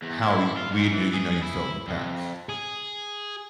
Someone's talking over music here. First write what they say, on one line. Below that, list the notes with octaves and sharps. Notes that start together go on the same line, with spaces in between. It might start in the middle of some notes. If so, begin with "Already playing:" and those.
how y we knew you know, you felt in the past."
E2
E4
F4
G#2
E3
G#4
E4
F2
G#4